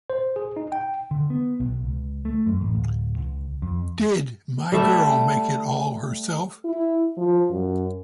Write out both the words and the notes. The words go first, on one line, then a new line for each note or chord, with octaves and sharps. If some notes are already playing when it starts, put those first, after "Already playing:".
Did my girl make it all herself?
C5
G#4
D#4
G5
D3
B3
B1
C#2
A3
F#2
A1
D1
C#2
F2
G3 A3 E5
E4
F3
F#2